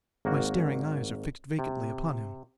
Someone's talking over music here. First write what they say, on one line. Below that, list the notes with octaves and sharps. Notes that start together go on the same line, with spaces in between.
My staring eyes are fixed vacantly upon him.
G#1 A#3 F#4
C3